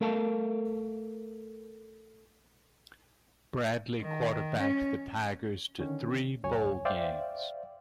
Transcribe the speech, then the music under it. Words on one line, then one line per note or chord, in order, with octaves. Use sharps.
Bradley quarterbacked the Tigers to three bowl games.
A3 A4 A#4 F5 A5
D#3
C#4
D3 D#3 C#4
C#2 F#2 C#5 G#5
C5 D5 E5 F5 G5